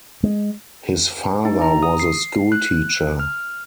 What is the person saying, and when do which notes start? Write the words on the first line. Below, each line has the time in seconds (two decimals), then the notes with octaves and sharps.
His father was a schoolteacher.
0.24 G#3
1.45 D#4
1.62 A#5
1.83 D#6
2.00 C7
2.52 F#6
3.20 F6